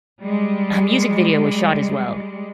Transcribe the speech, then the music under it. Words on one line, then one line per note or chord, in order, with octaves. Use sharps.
A music video was shot as well.
G3 G#3